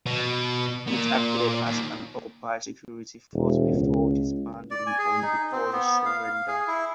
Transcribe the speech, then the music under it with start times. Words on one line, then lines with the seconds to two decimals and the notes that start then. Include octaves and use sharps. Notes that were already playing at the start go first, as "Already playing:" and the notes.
It acted as an occupied security force before disbanding on the Polish surrender.
0.06 B2
0.87 A#2
1.66 D#2
3.34 E1
3.70 C#2
4.71 D5
4.87 G#5
4.98 G#4
5.23 D#4
5.52 C4
5.73 B3
6.05 F5
6.24 F5
6.48 G#4
6.68 E4